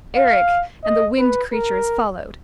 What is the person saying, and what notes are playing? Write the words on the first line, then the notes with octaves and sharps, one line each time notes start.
Eric and the Wind Creatures followed.
F5
D#5
B4
A#4